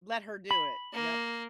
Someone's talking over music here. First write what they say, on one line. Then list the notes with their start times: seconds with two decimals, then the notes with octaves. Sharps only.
Let her do it, yep.
0.51 B5
0.93 A#3